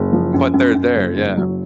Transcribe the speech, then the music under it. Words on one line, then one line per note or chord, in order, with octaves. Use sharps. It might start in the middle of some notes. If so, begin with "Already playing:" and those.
But they're there, yeah.
Already playing: F#1
F3
F#2
F#2
F#2
F#1
F#1
F#3